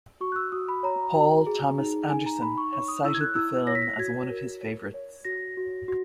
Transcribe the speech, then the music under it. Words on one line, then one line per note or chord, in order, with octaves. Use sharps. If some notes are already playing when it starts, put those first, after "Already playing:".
Paul Thomas Anderson has cited the film as one of his favorites.
F#4 C#6
F#6
E6
F#4 D#6
B5
C#5 A#5
F#4
G#4
D#4
D#4 G#5
A#5
D#4 B5
C#6
C#5 C#6
D#6
E4 E6
G#6
F#6
E4 E6
C#5 A#6
B6
A#6
F#4 G#6
A#4
C#5
C#5
F#4 A#6
F#4
F#4